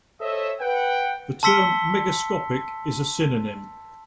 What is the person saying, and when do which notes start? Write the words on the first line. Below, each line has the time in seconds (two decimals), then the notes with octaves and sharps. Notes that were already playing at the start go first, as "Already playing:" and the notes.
The term "megascopic" is a synonym.
0.20 A4 C5 C#5 D#5 E5
0.60 B4 F#5 G5
1.43 A5 C6 E6 B6 C#7 G7